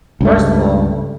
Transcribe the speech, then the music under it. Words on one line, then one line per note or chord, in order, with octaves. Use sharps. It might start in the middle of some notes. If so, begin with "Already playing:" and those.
first of all
C#2 G2 A3